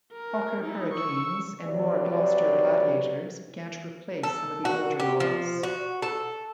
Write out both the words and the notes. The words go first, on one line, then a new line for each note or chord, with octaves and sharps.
Hawker Hurricanes and more Gloster Gladiators began to replace some of the older models.
A#4
D#4 E4
C#6 E6
C3 F#3 B4 D5
A4
F#4
G4
F3
F#4
A4